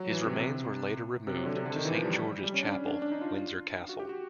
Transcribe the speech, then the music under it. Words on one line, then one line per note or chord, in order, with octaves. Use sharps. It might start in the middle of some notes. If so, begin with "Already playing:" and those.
His remains were later removed to Saint George's Chapel, Windsor Castle.
Already playing: F#3
E3
C3
C3
C3
F#3
D3
C3
D3
D#3
E3
F3
G3
G3
C#4
D4
C#4
D4
D4
D#4
F4
F#4
G4
F#4